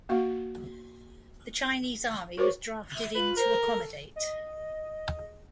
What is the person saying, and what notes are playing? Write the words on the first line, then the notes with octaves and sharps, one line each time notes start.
The Chinese army was drafted in to accommodate.
A#3 F#4 F5
F#4 A#4 C5 C#5 C#6 D6
E5
F4 B4
A#4 C5
A4
D#5